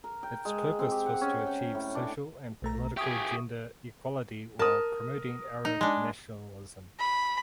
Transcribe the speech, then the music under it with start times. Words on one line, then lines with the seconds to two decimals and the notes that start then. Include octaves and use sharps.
Its purpose was to achieve social and political gender equality while promoting Arab nationalism.
0.04 A#4
0.23 G5
0.45 G#3
0.79 C4
0.92 G4
1.06 F#5
1.21 C#4
1.46 G5
1.75 A2
1.95 D4
2.62 B1 A3 A#5
2.97 G4 G#4 E5 C#6 D#6
4.59 A#4 A5 D#6
5.65 D#4
5.81 G#3 D4
7.00 B5